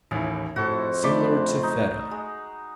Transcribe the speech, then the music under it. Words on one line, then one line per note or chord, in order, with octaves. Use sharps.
Similar to Feta.
A1 D#2 E4
F2 A2 G#3 F#4 A4 C5
A3 D5 B5 C6 D6 B6
D#4
G#3